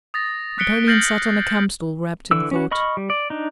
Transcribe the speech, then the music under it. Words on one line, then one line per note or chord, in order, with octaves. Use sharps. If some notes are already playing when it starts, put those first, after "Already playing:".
Napoleon sat on a campstool, wrapped in thought.
D#6 A6 A#6
D#6 F#6 B6 C#7 D7 G7
F6 G6 A6 A#6 C7 F#7
D3 E3 E6
C#4 F#4
D#5 B5 C#6 F6
G3
D5
D4 D#4